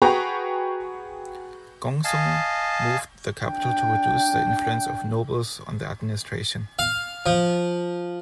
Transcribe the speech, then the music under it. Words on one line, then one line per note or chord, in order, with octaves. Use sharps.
Gongsun moved the capital to reduce the influence of nobles on the administration.
F#4 G#4 B4 G5 A#5 C#6
D#5 F5 G#5 A5
D4 G5
F5
F3